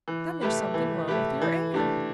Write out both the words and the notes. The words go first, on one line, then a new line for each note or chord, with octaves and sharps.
"Then there's something wrong with your aunt!"
E3
A3 E4 G4 B4
E3
A3 E4 G4 B4
E3
A3 D4 G4